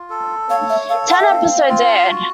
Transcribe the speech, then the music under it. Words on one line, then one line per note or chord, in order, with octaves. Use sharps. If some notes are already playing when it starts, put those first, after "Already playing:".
Ten episodes aired.
Already playing: F4
A4
C#5 F5
E5
A4 F5
F#5
E5
C4 F5
F4
F#4